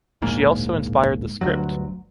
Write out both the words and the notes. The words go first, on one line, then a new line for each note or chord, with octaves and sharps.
She also inspired the script.
D1 A#1 G#2 A#3
G1 D2 G2 F#3